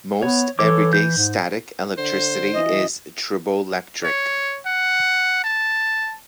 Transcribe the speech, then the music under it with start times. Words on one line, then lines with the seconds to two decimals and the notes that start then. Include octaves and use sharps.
Most everyday static electricity is triboelectric.
0.23 B3 C#5
0.59 E3 A4 C#5 D6
0.93 G6
1.17 G#2
1.98 D3 C5
2.54 E3 D#5
4.04 C#5
4.66 F#5
5.44 A5